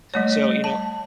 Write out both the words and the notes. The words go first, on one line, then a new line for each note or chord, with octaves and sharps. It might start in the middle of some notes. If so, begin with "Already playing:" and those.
So, you know
G3 A3 C#5
A5